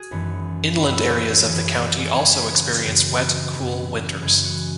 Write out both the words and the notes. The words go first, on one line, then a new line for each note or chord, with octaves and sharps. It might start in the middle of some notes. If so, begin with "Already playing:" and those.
Inland areas of the county also experience wet, cool winters.
Already playing: F#4 G#4
G#1 F#2 E3 B3
G#1 F#2 E3 B3 B5
C#6 E6
C#5
B4
C#5
G#1 F#2 E3 B3 G#4
G#4
G#4
G#4
F#2 C#3 E3 G#3 B3 G#4
C#5
B4
G#4
F#4
F#2 C#3 E3 G#3 B3
F#2 C#3 E3 G#3 B3
F#2 C#3 E3 G#3 B3 G#4
F#4